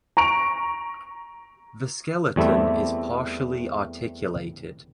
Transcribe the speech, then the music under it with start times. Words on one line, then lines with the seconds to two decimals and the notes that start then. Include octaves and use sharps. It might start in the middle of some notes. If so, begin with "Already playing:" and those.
The skeleton is partially articulated.
0.17 A#5 C#6 D7 F7
2.36 E2 G3 A3 C4 E5